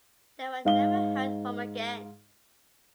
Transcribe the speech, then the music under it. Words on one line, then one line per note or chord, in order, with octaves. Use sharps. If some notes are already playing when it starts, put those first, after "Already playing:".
They were never heard from again.
G#2 F5 G7